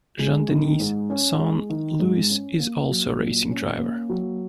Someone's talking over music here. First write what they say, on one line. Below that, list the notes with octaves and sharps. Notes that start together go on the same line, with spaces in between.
Jean-Denis's son, Louis, is also a racing driver.
G#3
D#3
G#2
C#4
G#3
D#3
G#2
C#4
A#3
F#3
A#2
C#4
A#3
F#3